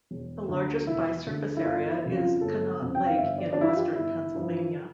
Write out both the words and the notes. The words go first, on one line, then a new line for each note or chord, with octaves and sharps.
The largest by surface area is Conneaut Lake, in western Pennsylvania.
E1
D2 D3
E1 E4
D2 D3
E4
G1 F4
E4
F2 C#3 F3
F4
G1 A4
F2 C#3 F3
G5
F5
G1 E5
D5
D4
G2 F3 E4
F4
G4
G1 E4
G2 F3